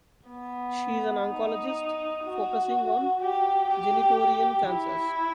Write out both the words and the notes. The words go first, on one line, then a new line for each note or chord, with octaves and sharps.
She is an oncologist focusing on genitourinary cancers.
B3
D#4
F#4
G4
G4
E4